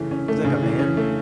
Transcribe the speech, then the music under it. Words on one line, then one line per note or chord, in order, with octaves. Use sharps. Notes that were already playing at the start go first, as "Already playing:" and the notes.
It's, like, a band?
Already playing: C#3 E3 A3 C#4
C#4
A3
C#3
E3
C#4
A3